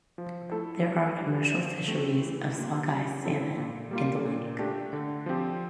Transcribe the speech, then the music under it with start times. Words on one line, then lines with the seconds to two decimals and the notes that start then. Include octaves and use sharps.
There are commercial fisheries of sockeye salmon in the lake.
0.18 F3
0.52 A3 E4 A4
0.86 E3
1.20 G3 D4
1.54 F3
1.88 A3 C4 G4
2.21 E3
2.55 G3 A#3 F4
2.89 G3
3.24 C4 E4 A4
3.58 A#2
3.91 G3 A#3 F4
4.25 A#2
4.59 A3 D4 G4
4.93 D3
5.26 F3 C4 G4